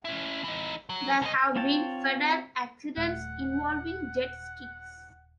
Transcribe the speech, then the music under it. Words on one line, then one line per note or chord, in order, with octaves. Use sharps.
There have been fatal accidents involving Jet Skis.
C#4 E4
E3 D#4
F#3
C2 D#5
C4 F4 C#5 G5 A5
D#1 A#2 A3 F#5